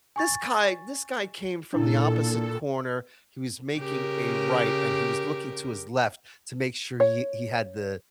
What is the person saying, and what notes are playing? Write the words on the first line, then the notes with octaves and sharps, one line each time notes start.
this guy this guy came from the opposite corner, he was making a right and he was looking to his left to make sure he he had the
G#5 C#6 A6
A#2 D4 E4 A4
C#3 G4 A#4
C#5